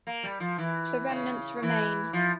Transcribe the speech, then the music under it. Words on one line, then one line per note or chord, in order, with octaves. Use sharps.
The remnants remain.
A#3
G3
F3
E3
C#3
E3
F3